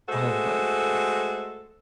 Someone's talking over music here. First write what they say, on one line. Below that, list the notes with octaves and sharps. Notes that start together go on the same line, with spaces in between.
Oh my god.
G#3 A3 F#4 A4 C5